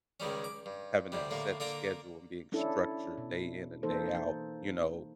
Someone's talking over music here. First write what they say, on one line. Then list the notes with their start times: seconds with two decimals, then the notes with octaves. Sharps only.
Having that set schedule and being structured day in and day out, you know,
0.20 C#2 D#3 G3 C#4
0.44 D6
0.66 G2
1.12 D2 C3 G3
1.31 A2 D3 A#3
1.60 D3 A#3 A4 G5 A#5
2.52 C#4 D4 E4 A4
3.18 B2
3.83 E3 A#3 D#4 A4 C5